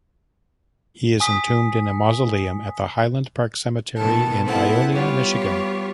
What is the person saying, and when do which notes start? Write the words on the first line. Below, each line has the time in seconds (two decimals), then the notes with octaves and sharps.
He is entombed in a mausoleum at the Highland Park Cemetery in Ionia, Michigan.
1.20 G#5 D#6 B6
3.96 B2 D#3 A4
4.45 B3 C4 E4 A4 F#5
4.92 G3 B3 F4 G4 C#5